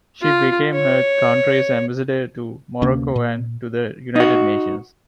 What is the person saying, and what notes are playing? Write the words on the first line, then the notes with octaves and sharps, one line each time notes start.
She became her country's ambassador to Morocco and to the United Nations.
F4
C#5
D2 C3 A#3 C#4
A#2
D#4 F#4